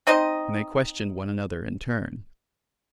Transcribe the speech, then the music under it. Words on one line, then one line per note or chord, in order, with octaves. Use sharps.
And they questioned one another in turn.
C4 D#4 C5 D#5